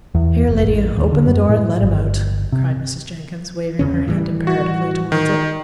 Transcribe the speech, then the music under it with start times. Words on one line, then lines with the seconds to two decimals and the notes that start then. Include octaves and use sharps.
"Here, Lydia, open the door and let him out," cried Mrs. Jenkins, waving her hand imperatively towards it.
0.15 E2
0.49 F1
0.64 A1
0.98 D#2
1.12 D3
1.26 F#2
1.49 A2
1.81 G1
2.52 C3
3.79 E2 C#3 C#4
4.08 A2 E3 G3
4.47 F#4
5.12 D#3